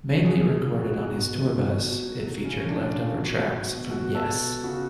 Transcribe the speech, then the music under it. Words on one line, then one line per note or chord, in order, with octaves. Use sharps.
Mainly recorded on his tour bus, it featured leftover tracks from Yes!
F#4
F3 G#4
F3
G#4
C#3
F#4
C#3
B2
F#3
B2
B2
B2
F#3
F#3
F#3
C#3 C#4
F3
D4
F3
C#3 F4
B2 F#4
F#3
F#3
B2
B2 F#4
B2
A4
B2
B2
C#3 F#4